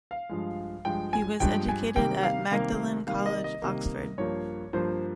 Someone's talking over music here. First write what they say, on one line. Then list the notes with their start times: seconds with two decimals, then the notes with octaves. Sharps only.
He was educated at Magdalen College, Oxford.
0.11 F5
0.29 G2 F3 G#3
0.85 G2 F3 G#3 G5
1.13 G#5
1.40 G2 F3 G#3 G5
1.69 G#5
1.96 C3 D#3 G3 A#3 G5
2.23 F5
2.51 C3 D#3 G3 A#3 F5
3.07 C3 D#3 G3 A#3 F5
3.26 D#5
3.44 D#5
3.62 C3 D#3 G3 A#3
4.18 G2 F3 A#3 C#5
4.73 G2 F3 A#3 C5